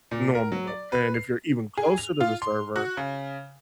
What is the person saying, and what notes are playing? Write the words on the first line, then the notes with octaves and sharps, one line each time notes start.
normal and if you're even closer to the server
A#2
A#4
F#3
D5
B4
C7
G#4
F7
F4
C6
F#4
C#3